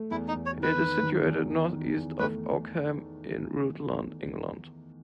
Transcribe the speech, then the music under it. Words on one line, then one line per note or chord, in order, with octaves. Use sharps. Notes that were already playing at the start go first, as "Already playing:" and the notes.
It is situated north east of Oakham, in Rutland, England.
Already playing: A3
E2 E4
D#4
E2
C#5
D#3
B4
D#3
D#3
E2
E2
D#3
E2
A3 B4